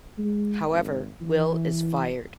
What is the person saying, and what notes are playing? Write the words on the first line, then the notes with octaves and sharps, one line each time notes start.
However, Will is fired.
G#3
G#1
E3